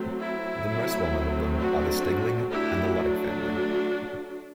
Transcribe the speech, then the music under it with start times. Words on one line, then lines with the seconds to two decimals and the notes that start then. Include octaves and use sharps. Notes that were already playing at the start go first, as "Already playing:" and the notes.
The most well known of them are the Stegling and the Ludick family.
Already playing: F#3 A3 C4
0.21 E4
0.67 F#3 A3 C4
1.59 D4 F#4
2.50 F#3 A3 D4 E4 G4
2.96 D4 F#4